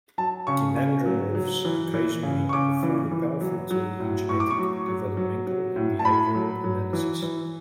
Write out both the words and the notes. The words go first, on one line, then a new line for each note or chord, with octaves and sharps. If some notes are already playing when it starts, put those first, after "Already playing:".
Gynandromorphs occasionally afford a powerful tool in genetic, developmental, and behavioral analyses.
F#3 A5
C#3 C#6
C#3
F#3
F#3
E3
E3
C#3
C#6
C#3 D6
E3
E3
F#3
F#3
A2
A2 C#6
D6
C#6
F#3
F#3
F#3
F#3
A2
A5
A2 B5
F#3
F#3
E3
E3